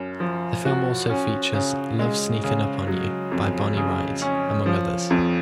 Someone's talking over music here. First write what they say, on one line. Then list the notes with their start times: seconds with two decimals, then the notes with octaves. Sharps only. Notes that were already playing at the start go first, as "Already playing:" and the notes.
The film also features "Love Sneakin' Up On You" by Bonnie Raitt, among others.
Already playing: F#2
0.20 F3
0.65 F#4
1.10 C#4
1.54 C#3
1.99 G#3
2.44 C#3
2.87 F#3
3.32 F2
3.77 C#3
4.22 C#4
4.66 F3
5.10 F2